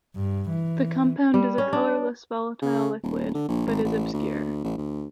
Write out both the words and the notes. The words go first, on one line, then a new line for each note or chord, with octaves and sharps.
The compound is a colourless volatile liquid, but is obscure.
G2
E3
G3
C#4
D4
C#3
D#1
D3
A#1
G#1
A1
D2
A1
D2